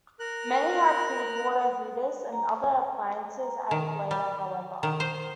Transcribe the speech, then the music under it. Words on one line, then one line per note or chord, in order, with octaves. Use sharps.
Many had feedwater heaters and other appliances added later, however.
A#4 F#6
A#5
D#3
G3
D#3
C5